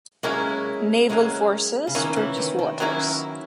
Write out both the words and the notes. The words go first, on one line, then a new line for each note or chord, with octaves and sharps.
Naval Forces, Turkish Waters.
F#3 G#3 A#3 C#4 E4
F#3 G#3 A#3 C#4 E4
C#3
D#3 F#3 A#3 C#4 E4
E3
D#3
D#3
F#3 A#3 C#4 E4